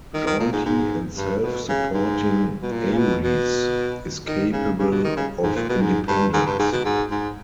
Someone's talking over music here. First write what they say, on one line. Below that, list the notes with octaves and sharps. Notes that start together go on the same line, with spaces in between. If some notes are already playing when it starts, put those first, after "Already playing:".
Jaunty and self-supporting, Aries is capable of independence.
D#3
D#3
A#2
G#2
G#2
G2
B2
C#3
G#2
B2
A#2
C#3
B2
B2
D#3
C#3
C#3
B2
D#3
C#3
G#2
A#2
B2
G#2
G2
G#2
G2
G#2
B2
G#2
G#2